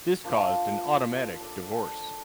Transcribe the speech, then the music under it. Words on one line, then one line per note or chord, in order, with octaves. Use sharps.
This caused an automatic divorce.
F3 A#3 D4
D4 A4 D5